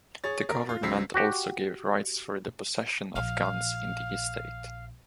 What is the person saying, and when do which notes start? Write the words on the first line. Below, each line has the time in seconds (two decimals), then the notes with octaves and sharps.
The Government also gave rights for the possession of guns in the estate.
0.24 G#4 C#5 A6
0.49 A#4
0.69 F4
0.83 C#2 F#3 C5 E6 B6 C7
1.14 F#4 G4
3.15 A#1 F5